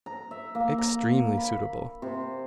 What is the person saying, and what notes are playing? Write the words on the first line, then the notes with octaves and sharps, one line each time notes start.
Extremely suitable.
A#5
E5
A#3
A#5
B5
C3